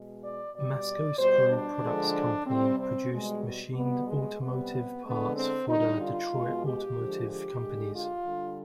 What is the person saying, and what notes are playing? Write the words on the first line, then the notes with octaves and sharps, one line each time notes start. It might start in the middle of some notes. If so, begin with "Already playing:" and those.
Masco Screw Products Company produced machined automotive parts for the Detroit automotive companies.
Already playing: B2 G#3
D5
B2 G3 D5
B2 G3 C5
D4
D3 F3 G#3
C3 G3 C4
C4
B2 G3 G#3
B2 G3 B3
G#3
C3 G3 B3
D3 G#3 B3
C4
D3 G3 D#4
F4
B2 G#3
G4
D3 F3 G#3
G4
D3 G#3
F4
D3 G3